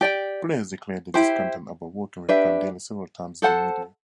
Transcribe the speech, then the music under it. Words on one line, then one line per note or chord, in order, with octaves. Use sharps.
Players declared their discontent about working with Prandelli several times in the media.
G4 D5 G5
E4 G4 C5
D4 G4 B4 E5
A4 C5 F#5 A5